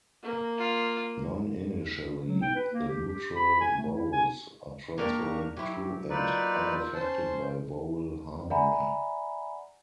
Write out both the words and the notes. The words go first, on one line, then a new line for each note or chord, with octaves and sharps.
Non-initially, the neutral vowels are transparent to and unaffected by vowel harmony.
A#3
F4
F#3
G5
B4
A#3
G4
G4
B5
G#5
A3
E4
G#5
A#3 D4 G4 A#4 A#5 C#6
F#3 E4 G4
A#3 C4 D#4 F4 B4 D5
C#4 C5 A5
D5 E5 F#5 G#5 A#5 B5